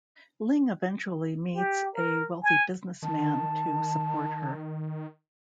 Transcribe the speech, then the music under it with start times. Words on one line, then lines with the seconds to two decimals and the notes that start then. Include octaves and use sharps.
Ling eventually meets a wealthy businessman to support her.
1.55 G4
1.95 A#4
2.43 G#5
3.02 D#3 A5